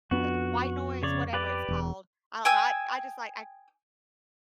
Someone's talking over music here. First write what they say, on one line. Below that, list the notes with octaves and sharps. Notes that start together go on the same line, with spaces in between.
it white noise, whatever it's called. I don't know, I I just like, I
F2 B3 D4 F#4
C#3 C#5 D5
G4 B4 D5
E1 E2
G5 G#5 D#6 E6